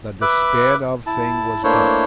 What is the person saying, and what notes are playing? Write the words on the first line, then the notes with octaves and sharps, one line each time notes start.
The despaired-of thing was done.
B4 E5 D6 F#6
E4 A5
A3 A#3 D4 E4 C5 C#5